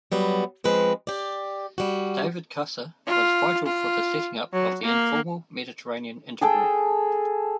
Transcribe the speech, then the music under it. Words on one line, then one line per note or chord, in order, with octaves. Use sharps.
David Casa was vital for the setting up of the informal Mediterranean intergroup.
F#3 G3 B3
F3 G#3 C4 B4
G4 D5
G3 F#4
F4
F4
F#3
A#3
G#4 A4 G5 A5